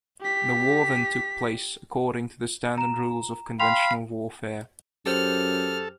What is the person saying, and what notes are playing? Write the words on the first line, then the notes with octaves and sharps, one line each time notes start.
The war then took place according to the standard rules of conventional warfare.
G4 B6
A#5 E7
F5 G5 B5 C6 F7
F#2 G4 A4 C5 F6